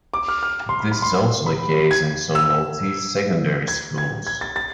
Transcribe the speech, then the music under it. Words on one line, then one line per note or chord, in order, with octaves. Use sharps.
This is also the case in some Maltese secondary schools.
D6
F6
F6
C6
B5
B5
C6
B5
G#6
E6
G#6
G#6
G#6
A6
A6